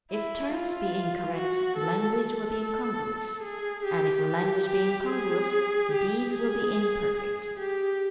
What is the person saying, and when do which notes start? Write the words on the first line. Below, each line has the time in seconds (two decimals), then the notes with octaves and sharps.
If terms be incorrect, language will be incongruous; and if language be incongruous, deeds will be imperfect.
0.11 E4
0.52 F4
1.35 F#4
1.77 A4
2.20 A4
3.43 G#4
3.85 G4
4.26 G4
4.68 G4
5.10 G#4
5.92 G4
6.34 G#4
7.17 G#4
7.60 G4